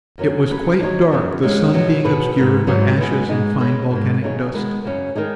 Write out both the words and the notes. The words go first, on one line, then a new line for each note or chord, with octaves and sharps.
It was quite dark, the sun being obscured by ashes and fine volcanic dust.
F#2 D#3 F#3 C#4
F#3 C#4 B4
F#3 D#4 G#4 C#5
F#2 C#3 B3
D#2 C#3 G#3
B2 F#3 D#4 F#4
B2 B3 G#4 B4
G#2 D#3 B3
G#2 F#3 B3
B2 G#3 B3 G#4
G#2 G#3 D#4
C#3 G#3 D#4 B4
G#2 D#3 G#3
C#3 F#3 D#4 G#4 C#5
D#3 G#3 B3
F#2 C#3 F#3 C#4
D#3 G#3 D#4 G#4